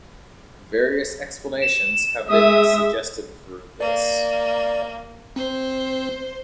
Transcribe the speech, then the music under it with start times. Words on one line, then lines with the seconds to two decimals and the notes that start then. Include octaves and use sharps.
Various explanations have been suggested for this.
1.62 E7
2.29 G#3 E5 D#6
3.80 A#3 D5
5.36 C4 C5